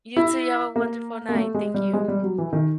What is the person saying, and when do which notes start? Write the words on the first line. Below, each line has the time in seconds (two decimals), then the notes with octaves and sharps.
You too. You have a wonderful night. Thank you.
0.17 E4
0.76 A#3
1.29 A#3
1.35 A3
1.54 G#3
1.74 G3
1.93 G#3
2.08 G3
2.23 F#3
2.38 E3
2.53 D#3